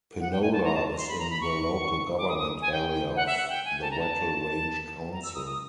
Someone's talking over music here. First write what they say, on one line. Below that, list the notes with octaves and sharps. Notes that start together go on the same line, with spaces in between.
Penola is in the local government area of the Wattle Range Council.
F#5
G5
G#5
A5
A#5
A5
C6
B5
A#5
B5
C#6
D6
D#6
D#6
G#5
G5
F#5
E5
F#5
G5
G#5
A5
A#5
A5
A#5
E6
D#6
D#6